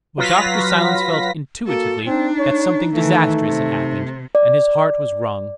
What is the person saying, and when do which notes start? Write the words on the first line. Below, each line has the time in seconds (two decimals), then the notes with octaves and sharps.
But Dr. Silence felt intuitively that something disastrous had happened, and his heart was wrung.
0.18 F#3 F4 B4 F5 A#6 B6
1.67 A#3 F#4 A4
2.06 C4 D4 D#4
2.39 C#5
2.94 D#3 E3 A3
3.44 C3
4.35 D5